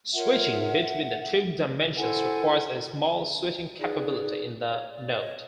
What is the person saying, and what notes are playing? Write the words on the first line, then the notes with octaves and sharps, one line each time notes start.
Switching between the two dimensions requires a small switching capability in the node.
F4 A#4 C#5 E5 F#5
E4 A4 C5 F#5 G#5
D#4 G#4 B4 D5
C#5
D5
C#5 D#5